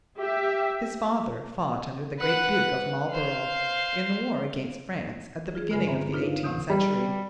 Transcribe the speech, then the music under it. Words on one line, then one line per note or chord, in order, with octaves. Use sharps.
His father fought under the great Duke of Marlborough in the war against France at the beginning of the eighteenth century.
G4 E5
B4 F#5
C5 F5
F4 G#4
G2 D3 F4 B4 G#5 B5
C4 E5 A#5 B5
D4 D#4 F4 A#4 B4 C#5
F5
D2 A2 C3 E3 D#6
G3